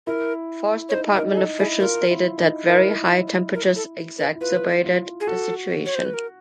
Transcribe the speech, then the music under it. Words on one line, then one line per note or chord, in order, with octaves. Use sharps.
Forest department officials stated that very high temperatures exacerbated the situation.
E4 A#4
C#5
D#4 C5
D#4 A#4
G#4
D#4 A4
E4 G#4
F4 A#4
E4
D#4
E4 A#4
A#4
A4
B4
E4
F4 B4
F4
G#4
F#4 A4
C#5
C5
B4
A#4